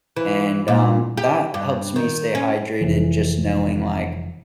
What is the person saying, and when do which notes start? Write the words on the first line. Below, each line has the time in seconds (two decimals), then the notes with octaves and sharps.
and, um, that helps me stay hydrated, just knowing, like,
0.16 E3
0.68 A#2
1.17 G4
1.54 G2
1.96 D#3
2.35 C#4
2.81 F1 E3